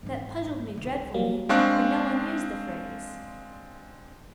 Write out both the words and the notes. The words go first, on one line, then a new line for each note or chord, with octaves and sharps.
That puzzled me dreadfully, for no one used the phrase.
G#2 E3
C2 C3
F#3 G3 A#3
G#3 C4 D4 F5 C#6 F#6